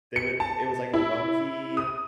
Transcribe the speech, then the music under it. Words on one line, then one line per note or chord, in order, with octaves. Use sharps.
they would it was, like, a monkey
C#7
A5
E4
D#6